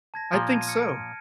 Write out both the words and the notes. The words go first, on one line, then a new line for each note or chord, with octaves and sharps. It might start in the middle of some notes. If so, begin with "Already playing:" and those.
I think so.
A5 G#6 A#6
A#2 F3
G#6 D#7
F6 C#7
D7